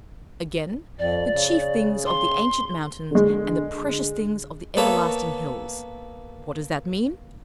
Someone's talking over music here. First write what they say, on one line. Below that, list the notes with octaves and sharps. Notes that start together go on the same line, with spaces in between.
Again, "the chief things of the ancient mountains, and the precious things of the everlasting hills." What does that mean?
F2 D5
C#3
C6
D3 G#3
A#3 B3 A4 C#5 E5